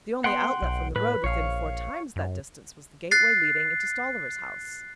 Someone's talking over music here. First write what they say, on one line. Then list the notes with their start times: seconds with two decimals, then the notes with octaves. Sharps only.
The only outlet from the road within four times that distance was the gateway leading into Stolliver's house.
0.24 B3 F#5 G5 C6
0.62 B1
0.96 A2 B4
1.24 A#1 C#5 F5
2.16 F#2
3.11 F#6 A6 C7